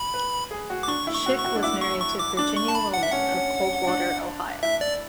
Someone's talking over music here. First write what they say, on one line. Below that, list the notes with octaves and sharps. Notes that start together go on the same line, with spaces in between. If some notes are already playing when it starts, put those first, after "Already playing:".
Schick was married to Virginia Willman of Coldwater Ohio.
Already playing: B5
B4
G#4
F#4
D6
D4 C#6
E4
C#6
F#4
C#6
F#4
D4
E4 D6
C#6
C#6
D6
D4 D6
C#6
A5
B5
F#5
E5
C#4 F#5
D4
E4 E5
D5